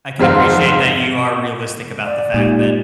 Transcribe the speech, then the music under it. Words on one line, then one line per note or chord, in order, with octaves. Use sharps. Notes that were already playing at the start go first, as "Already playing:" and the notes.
I can appreciate that you are realistic about the fact that,
F1 G#2 C5 F5 F#5
D5
A#2 G#3 D#4 G4